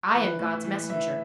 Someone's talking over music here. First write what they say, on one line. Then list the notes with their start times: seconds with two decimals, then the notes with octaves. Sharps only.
I am God's messenger.
0.14 E3 B4
0.39 A2
0.64 E3
0.89 E3 E5